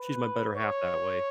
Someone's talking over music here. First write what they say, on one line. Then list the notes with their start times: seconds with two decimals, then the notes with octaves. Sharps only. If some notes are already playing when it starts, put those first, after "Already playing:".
she's my better half that way.
Already playing: B4
0.55 C#5